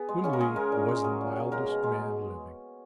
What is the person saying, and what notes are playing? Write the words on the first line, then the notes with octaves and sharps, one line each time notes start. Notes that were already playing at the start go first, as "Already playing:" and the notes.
Wimley was the mildest man living.
Already playing: B3 G#4
G#3
C#3 C#4
A#4
G#3 G#4
G#3 A#4
A#2
G#3
F#3 G#4
A#2
F#3
G#3 A#4
B2
G#3